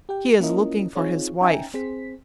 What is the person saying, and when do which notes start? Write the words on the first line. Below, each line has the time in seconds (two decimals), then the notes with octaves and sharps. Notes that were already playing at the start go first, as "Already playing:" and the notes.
He is looking for his wife.
0.09 G4 G5
0.39 A#3 C#4 E4 F4 A#4 D#5
0.96 C4 D#4 F4 G#4 C#5
1.41 C#4 D#4 E5 G5 G#5 A#5
1.74 C4 G#4 C5 B6